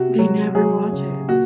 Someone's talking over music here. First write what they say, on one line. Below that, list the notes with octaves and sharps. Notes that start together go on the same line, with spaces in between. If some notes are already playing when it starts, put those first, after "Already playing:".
They never watch it.
Already playing: C3 F#4
F#3
F#3 G#4
C#3
A#2 F#4